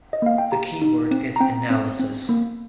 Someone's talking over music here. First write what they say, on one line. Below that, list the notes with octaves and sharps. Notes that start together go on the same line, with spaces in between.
The key word is analysis.
D#5
A#3 F5
G5
G4 A#5
D#4
C4
A#5
C4 G5
C4
C4
A#3